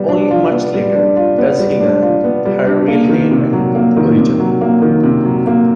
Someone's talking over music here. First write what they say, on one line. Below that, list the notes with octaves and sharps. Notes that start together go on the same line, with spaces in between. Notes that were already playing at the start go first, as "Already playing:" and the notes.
Only much later does he learn her real name and origin.
Already playing: G3 B3
D4
F4
B3
G3
D4
F4
B3
G3
D4
F4
B3
G3
D4
A#3
D#3
C3
F#3
A#3
D#3
C3
F#3
A#3
D#3
C3
F#3
A#3